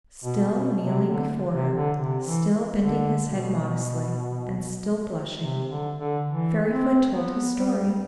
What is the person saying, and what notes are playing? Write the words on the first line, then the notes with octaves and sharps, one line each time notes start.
Still kneeling before her, still bending his head modestly, and still blushing, Fairyfoot told his story.
B2
B2
C3
D3
C3
D3
C3
E3
D3
B2
C3
D3
D3
E3
C4
B3
G3